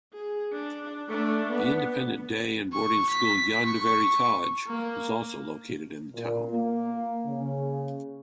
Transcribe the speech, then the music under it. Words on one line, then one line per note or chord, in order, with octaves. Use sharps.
The independent day and boarding school Llandovery College is also located in the town.
G#4
D4
A3 D4
B3
C#6
B6
C#6
A#3
A#2
A#3
C#3